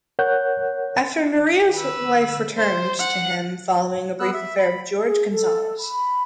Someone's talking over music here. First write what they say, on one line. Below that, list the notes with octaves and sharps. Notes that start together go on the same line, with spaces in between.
After Narea's wife returned to him following a brief affair with Jorge Gonzalez.
A#4 C#5 F#5 F#6 G6
B4 E6
C5
F#5
B3 E6 F#6
E5
B5
G#4
A4
B5